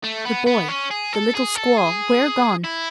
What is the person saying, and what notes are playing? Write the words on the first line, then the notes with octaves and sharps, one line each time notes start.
"The boy, the little squaw,--where gone?"
A3
B3
B3
C#4
G#4
A4
G#4
A4
G#4
E4